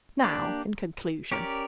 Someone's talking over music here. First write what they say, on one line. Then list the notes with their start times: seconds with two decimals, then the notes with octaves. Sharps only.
Now in conclusion.
0.24 A#3 D4 G4 D5
1.32 C#4 G4 A#4 D5